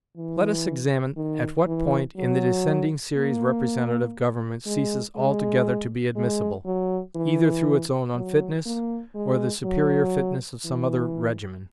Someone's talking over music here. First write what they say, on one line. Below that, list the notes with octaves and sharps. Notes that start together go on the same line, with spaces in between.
Let us examine at what point in the descending series representative government ceases altogether to be admissible, either through its own unfitness or the superior fitness of some other regimen.
E3
D#3
E3
F#3
A#3
G#3
G#3
G#3
F#3
E3
F#3
A#3
G#3
F#3
E3